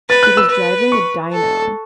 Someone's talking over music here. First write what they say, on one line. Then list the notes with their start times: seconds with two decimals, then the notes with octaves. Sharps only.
He was driving a Dino.
0.10 B4 A6
0.23 F#6
0.37 E6
0.50 B4
0.92 C#6
1.33 A4